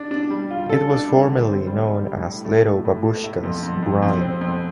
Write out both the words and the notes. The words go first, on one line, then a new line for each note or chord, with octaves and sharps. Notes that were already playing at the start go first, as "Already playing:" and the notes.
It was formerly known as Little Babooshka's Grind.
Already playing: D4
D4
G3
F4
A4
D4
G3
D3
C4
G3
G3
G3
A2
A3
A2
A2
A3
A2
F2
F2
F2
F2
C4
F2